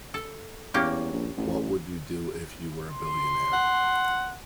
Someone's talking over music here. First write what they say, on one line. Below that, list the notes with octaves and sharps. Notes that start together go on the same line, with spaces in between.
What would you do if you were a billionaire?
A4
E2 A#3 C#4 G4
A#1
A1
C6
F#5